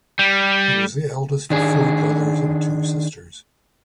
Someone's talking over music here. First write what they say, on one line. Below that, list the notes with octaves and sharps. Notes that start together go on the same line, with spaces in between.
He was the eldest of four brothers and two sisters.
G3
D#3 D4 G#4